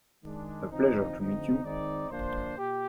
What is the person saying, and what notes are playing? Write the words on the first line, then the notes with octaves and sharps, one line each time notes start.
A pleasure to meet you.
D#3 G#3 D4
D3 F3 C4 D#4
D3 F3 C4 D#4
D#3 G#3 C4 D#4 D5
D3 F3 A#3 D4 C5
A#2 G4